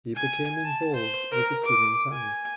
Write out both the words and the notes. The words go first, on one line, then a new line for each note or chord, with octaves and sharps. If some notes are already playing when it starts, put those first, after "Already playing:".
He became involved with the Kuomintang.
G#5
A5
C5
A#4
D6
G#5